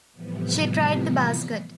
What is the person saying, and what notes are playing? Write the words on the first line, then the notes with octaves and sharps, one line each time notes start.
She tried the basket.
A2 C3 E3 F3 G3 B3